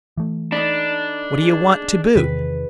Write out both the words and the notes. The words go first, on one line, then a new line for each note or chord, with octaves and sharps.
What do you want to boot?'
E3 A3
D4 D#4 A4 B5
G#4
E2 C3 D#3 B4